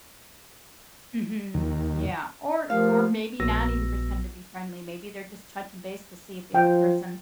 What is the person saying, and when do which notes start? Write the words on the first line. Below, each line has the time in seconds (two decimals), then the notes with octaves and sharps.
Mhm. Yeah. Or or maybe not even pretend to be friendly, maybe they're just touching base to see if the other person
1.54 D#2
2.70 F3 A3 G4 A#4 F5 F6
3.40 A#1 B3 F#4 E6 A#6
6.55 F3 G5